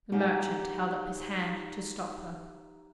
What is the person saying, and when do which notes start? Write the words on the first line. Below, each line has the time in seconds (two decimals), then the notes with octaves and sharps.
The merchant held up his hand to stop her.
0.12 D#4 G4 G#4 F#5 G#5